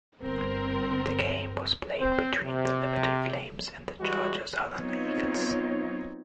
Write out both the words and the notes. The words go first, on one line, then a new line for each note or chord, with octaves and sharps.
The game was played between the Liberty Flames and the Georgia Southern Eagles.
G1 C4 A#4
C4 C5
C3
E3 G3 G#3 F#4
F#3 B3 C4 D#4 F4 C#5